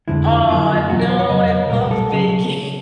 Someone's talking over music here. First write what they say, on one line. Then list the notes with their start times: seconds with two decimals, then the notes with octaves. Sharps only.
Aw, no, I love baking.
0.08 F2 D3 F3 G#3 E4
0.49 F#2 D3 F#3 A#3 F4
0.61 E4
0.73 F4
0.89 E2 B2 F#3 F#4
0.99 A#4
1.09 C5
1.19 C#5
1.29 F2 C#3 F#3 D#5
1.70 B1 A#2 G3 A#4
1.91 A4
2.12 C#3 F#3